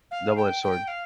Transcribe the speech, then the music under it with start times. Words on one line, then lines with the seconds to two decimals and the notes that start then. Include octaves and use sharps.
double-edged sword.
0.11 F5
0.37 G5
0.63 G5
0.88 F5